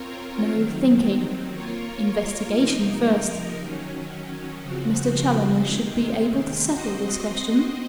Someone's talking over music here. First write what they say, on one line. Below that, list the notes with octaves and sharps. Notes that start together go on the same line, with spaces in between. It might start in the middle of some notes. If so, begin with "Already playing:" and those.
No thinking! investigation first. Mr. Challoner should be able to settle this question.
Already playing: C4 F4 A#4 C#5
D#3 F#3 C4
A#3 F4 A#4 C#5
C3 F3 A#3 D#4 A#4
D#3 F#3 C#4
C#3 F3 C4 F#4
C3 D#3 G#3 C4
C4 F#4 C5 D#5